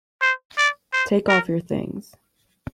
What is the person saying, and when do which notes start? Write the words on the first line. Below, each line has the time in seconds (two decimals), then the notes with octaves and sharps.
Take off your things.
0.21 C5
0.57 D5
0.93 C5
1.28 A#4